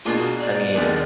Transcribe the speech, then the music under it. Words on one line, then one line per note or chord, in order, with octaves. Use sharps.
I mean,
B2 A#3 D4 F4 G#4
F#4
D5
D#2 D#3 G#3 B3 D4